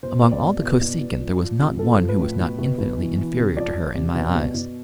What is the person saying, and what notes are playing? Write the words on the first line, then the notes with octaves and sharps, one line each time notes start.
Among all the Kosekin there was not one who was not infinitely inferior to her in my eyes.
B2 C5
B2
D5
B2
B2
B2
B2
F3
F3
C3
F3 A4
F3
B4
A2
B2
B2
B2
E3
E3
C3
F3 D5
F3
C3
B2
B2
B2